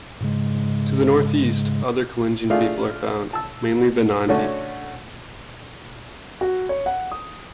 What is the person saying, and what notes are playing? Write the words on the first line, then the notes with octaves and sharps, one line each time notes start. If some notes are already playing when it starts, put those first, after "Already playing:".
To the north-east, other Kalenjin people are found, mainly the Nandi.
G#2 C#3 G#3
A3 D4 F4 G#4 F5
A5 E6
D3 A3 C#4 F#4 A4 C#5
F#4
C#5
F#5
D#6